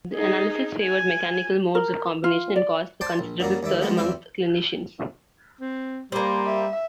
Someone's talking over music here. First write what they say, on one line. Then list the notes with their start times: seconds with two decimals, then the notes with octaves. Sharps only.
The analysis favored mechanical modes of combination and caused a considerable stir amongst clinicians.
0.14 D#4 G#4
0.83 G#5
1.75 A#4
2.24 F4
2.56 D5
3.01 C5 D5 G5 A5 C6 D6
3.19 A#1
3.40 F#2 F#3 G3 A#3
3.63 D#2 G3 E5 D6
3.81 F3 G3 G#3 B3 F4
3.97 E2 C4 E4 F5 G5 D6
5.61 C4
6.12 G3 A#3 C5
6.45 E5